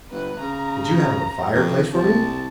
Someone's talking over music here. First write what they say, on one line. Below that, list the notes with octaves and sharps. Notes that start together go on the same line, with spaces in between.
"Would you have a fireplace for me?"
G1 B4
C#3 A#5
F2
C2 A5